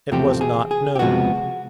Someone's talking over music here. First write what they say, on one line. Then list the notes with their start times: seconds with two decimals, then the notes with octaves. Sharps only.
It was not known.
0.11 E2 C3 F3 A3 C4 G4
0.41 G#4
0.71 G#4
0.96 G4
0.99 C#2 C3 F3 G#3 B3 F#4